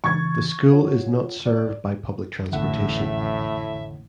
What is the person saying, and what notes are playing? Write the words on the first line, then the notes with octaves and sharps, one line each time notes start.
The school is not served by public transportation.
C#3 E3 C#6 G#6 A6
F4 C#5 F#5
D5
A1 F2 A2 D3 E5 F#5